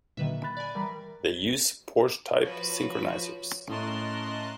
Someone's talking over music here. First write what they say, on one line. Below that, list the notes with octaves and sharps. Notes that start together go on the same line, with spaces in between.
They use Porsche-type synchronizers.
A#2 D3 D#3 F#3 B4 E5
B5 F#6 A6
D5 G#5
E3 G3 A#4 A#5 B5
F3 F#4 B4 C#5
A2 C#4 A#4 D#5 A5 C6 F#6